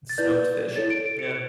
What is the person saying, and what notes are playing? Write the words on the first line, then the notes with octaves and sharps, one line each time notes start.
Smoked fish. Yeah.
A6
E4 B4 D5 G6
E4 A4 C#5 A6
D7
D7
C#7